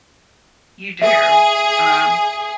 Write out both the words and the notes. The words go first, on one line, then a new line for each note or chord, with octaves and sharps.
You do, um
G#4 E5